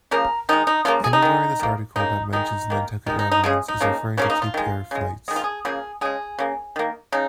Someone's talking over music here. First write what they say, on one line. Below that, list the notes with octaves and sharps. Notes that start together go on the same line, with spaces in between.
Anywhere in this article that mentions Nantucket Airlines is referring to Cape Air flights.
C#3 F3 A#3 A#4
D#3 G#3 D#4
D#4
C#3 F3 A#3 F4
G#4
D#4
D#3 G#3
D#3 A#3
C#3 A#3 D#4
D#3 G#3 D#4
D#3 A#3
D#3 G#3 D#4
D#4
D#4
C#3 F3 G#3 G#4
D#4
C#3 F3 A#3
C#3 F3 A#3 C#4
D#4
F4
D#3 G#3
C#3 G#3
D#3 G#3 G#4
F4
G#4
C#3 F3 A#3 G#4
C#3 G#3 G#4
C#3 A#3
D#3 A#3
C#3 D#4